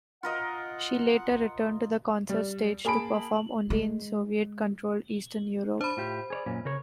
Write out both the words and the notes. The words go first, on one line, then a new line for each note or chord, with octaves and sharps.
She later returned to the concert stage to perform only in Soviet-controlled Eastern Europe.
F4 A#4 D#5 F#5
G3
A#3 G#4 A5 B5 D7
G#3
D4 C5 B5
A2 F4 G4
G#4 C#5 D5
F#2 A#2 C#4
C#3 A#4 C#5